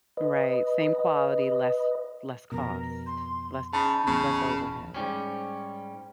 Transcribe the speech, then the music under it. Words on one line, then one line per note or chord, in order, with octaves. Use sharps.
Right, same quality, less less cost, less m less overhead.
B4 D#5
F2 B2 A#4
C6
C#3 D#4 A5 B5
D1 E2 C#3 B3
G#2 G3 C#4